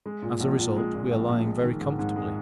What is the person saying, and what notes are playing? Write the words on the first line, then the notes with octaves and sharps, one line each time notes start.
As a result we are lying very comfortably.
G#3
A#2
A#1
A#1
G#3
A#2
A#1
A#1
G#3
D#3
G#2
G#2
G#3